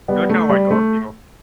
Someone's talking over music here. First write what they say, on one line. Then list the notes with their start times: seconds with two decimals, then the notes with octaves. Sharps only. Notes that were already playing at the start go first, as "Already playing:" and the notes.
They're kinda like Garfield.
0.08 G3 B3
0.30 A3
0.49 G3
0.71 A3